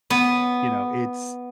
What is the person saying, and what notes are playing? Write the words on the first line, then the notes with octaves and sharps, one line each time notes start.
you know, it's
B3